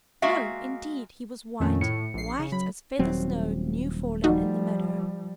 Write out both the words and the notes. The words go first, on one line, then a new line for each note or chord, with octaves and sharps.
No, indeed; he was white--white as feather-snow new fallen in the meadow.
G#3 A#3 F#4 E5 F5
F2 A#2 D#3 A3 C#4
A2 C#7
A#1 C7
C#3
F#3 B5
D#1 F#3 C4
F3 G3 D#4 F#4